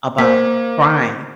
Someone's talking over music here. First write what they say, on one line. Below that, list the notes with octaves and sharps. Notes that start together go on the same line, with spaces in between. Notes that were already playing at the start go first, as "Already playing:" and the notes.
about crying,
A#3 C5 B6